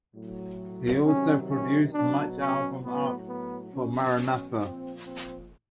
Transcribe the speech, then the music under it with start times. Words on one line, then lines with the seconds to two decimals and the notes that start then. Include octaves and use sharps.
He also produced much album art for Maranatha!
0.15 A2 F#3
1.04 C3 D#3 F#3 C#4
1.49 C#4
1.94 B2 F#3 D4
2.39 C#4
2.83 A2 F#3 B3
3.27 B3
3.73 B2 F#3 C#4
4.17 C#4
4.62 A#2 F3 C4
5.06 C4